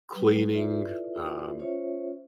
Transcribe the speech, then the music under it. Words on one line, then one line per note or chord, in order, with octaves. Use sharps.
cleaning, um
F#3 G3 B4
E4 F4 A4 B4 D5 E5
C#4 F4 C5 C#5 E5